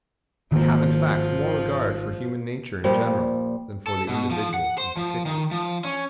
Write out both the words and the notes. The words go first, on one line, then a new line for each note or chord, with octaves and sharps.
They have in fact more regard for human nature in general than for the individual in particular.
G#1 D#3 F3 A#3
A#2 F3 G3
A4
B2
F3
F#5
C5
F3
D#3
F3
C#4